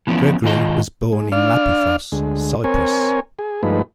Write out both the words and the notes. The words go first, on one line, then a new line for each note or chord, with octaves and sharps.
Gregory was born in Lapithos, Cyprus.
E3 F3 B3 C#4 E4
G#2 D#3 F4 D#5
G#3
D4 D5 F5 F6
D2 G#3
C4 A#4 C#5 G#5
G#4
G2 F3 G#3 A3 D#4 B4